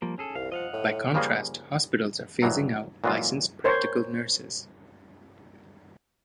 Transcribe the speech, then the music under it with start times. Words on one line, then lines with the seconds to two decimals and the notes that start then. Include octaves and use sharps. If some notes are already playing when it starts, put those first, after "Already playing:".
By contrast hospitals are phasing out licensed practical nurses.
0.02 F3 G3 A#3
0.18 C#4 G#4 A4
0.35 C2 F5
0.52 F3 D#5 F5 F#5
0.73 A2
1.14 C#3 F3 G3 A#3 C#4 G#4
2.42 G2 D#3 E3 F#3 A#5
3.04 A#2 E3 F#3 G#3 F4
3.64 A#4 C5 C#5